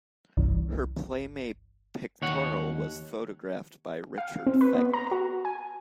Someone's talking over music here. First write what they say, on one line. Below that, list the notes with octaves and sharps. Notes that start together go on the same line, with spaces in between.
Her Playmate pictorial was photographed by Richard Fegley.
G1 C2 G2 E3
D#2 C#5 F#5
F5
C4
B4
B3
A#5
F#4
G#5